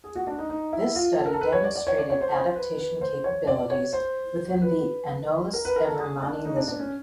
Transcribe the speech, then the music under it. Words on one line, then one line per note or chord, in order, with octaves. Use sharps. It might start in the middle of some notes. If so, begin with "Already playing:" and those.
This study demonstrated adaptation capabilities within the Anolis evermanni lizard.
G#4
F#4
D4
D#4
D#4
E4
F4
A4
A#4
A4
B4
C#5
D5
D5
C#5
D5
C#5
C5
C5
B4
B4
C5
C#5
D5
C#5
C5
B4
A#4
B4
A#4
A4
G#4
D4
D#4
D4
D4
C#4